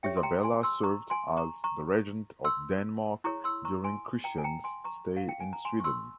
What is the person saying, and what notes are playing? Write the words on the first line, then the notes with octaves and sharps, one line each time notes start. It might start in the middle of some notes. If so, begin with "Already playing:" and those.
Isabella served as the regent of Denmark during Christian's stay in Sweden.
G4 C#5 E5 G5
C6
G5 A#5
G#5 C6
C6 E6
A#5 C#6
G#5 C6
A#5 C#6
A#5 C#6
C6 E6
E4 G#4 C#5 A#5 C#6
C6 E6
A#5 C#6
G#5 C6
G5 A#5
G#5
G5 A#5
G#5 C6
A#5 C#6
F5
G5
G#5
A#5
G#5 C6
C#6
C6 E6